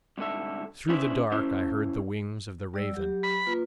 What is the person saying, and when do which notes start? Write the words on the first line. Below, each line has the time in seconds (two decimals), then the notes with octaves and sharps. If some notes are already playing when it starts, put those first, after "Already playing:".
Through the dark I heard the wings of the raven.
0.18 C2 G#2 D3 A4 E5
0.89 C#4 D4 E4 G#4 B4 C5
1.32 C#3 C#4 E4 C5
2.74 G3 D5 E6
2.94 F#3 G4
3.23 B5
3.46 A#3 F4 B4